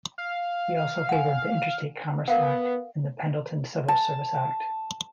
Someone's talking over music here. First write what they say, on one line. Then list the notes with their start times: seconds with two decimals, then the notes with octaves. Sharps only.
He also favored the Interstate Commerce Act and the Pendleton Civil Service Act.
0.18 F5
1.09 F#5 G#5
2.28 B3 A#4 F5 F#5
3.88 A5